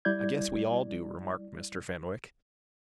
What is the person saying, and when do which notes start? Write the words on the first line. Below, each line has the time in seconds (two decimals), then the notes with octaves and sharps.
"I guess we all do," remarked Mr. Fenwick.
0.05 G3 E4 D5 G6 G#6